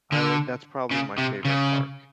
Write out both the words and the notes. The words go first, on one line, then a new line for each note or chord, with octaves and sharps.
I like that's probably my favorite park,
D3
C#3
C3
C#3